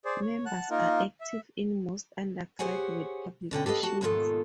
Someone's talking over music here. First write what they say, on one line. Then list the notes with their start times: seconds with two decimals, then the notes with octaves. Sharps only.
Members are active in most undergraduate publications.
0.05 G#4 C5 D5
0.22 C#5
0.46 F#5 A5 F#6
0.71 A#3 D#4 F4 A#4
1.21 E5
2.59 G4 G#4 C5 C#5 F#5 G#5
3.51 B2 D3 C#4 G5
3.66 G4 A4 B4 D#5 F5
3.83 F#4 A5
4.01 D#2 G#2 B2 D#3 F4 A4